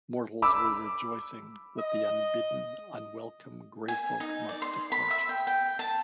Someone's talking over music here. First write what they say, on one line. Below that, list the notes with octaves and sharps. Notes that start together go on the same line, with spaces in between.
Mortals were rejoicing that the unbidden, unwelcome grey-folk must depart.
B5 D6 E6
D#5
G#5
D#4
D5
C6
B5
E5
G5
G5
A5